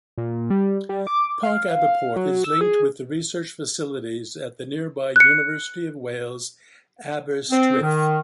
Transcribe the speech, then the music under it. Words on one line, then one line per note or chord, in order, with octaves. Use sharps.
ParcAberporth is linked with the research facilities at the nearby University of Wales, Aberystwyth.
A#2
G3
G3
D6
F5
F#3
E6
G#4
F#6 C#7
C4
D#3